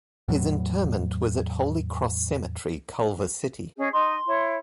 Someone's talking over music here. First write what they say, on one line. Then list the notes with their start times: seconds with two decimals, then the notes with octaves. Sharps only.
His interment was at Holy Cross Cemetery, Culver City.
0.28 E2 A2 F#3
3.77 C#4 G#4 D#5
3.93 D#4 D#5 C6
4.26 E4 C#5